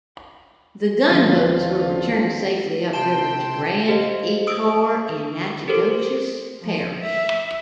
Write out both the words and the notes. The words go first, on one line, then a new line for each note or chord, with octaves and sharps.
The gunboats were returned safely upriver to Grand Ecore in Natchitoches Parish.
D#2 D3 F3 C4 D4 F4
C3 G5 A5 C6 E7
G4 C5 D#5 F5
D#6 E6 D7
G4 A4 A#4 C5
F3
E5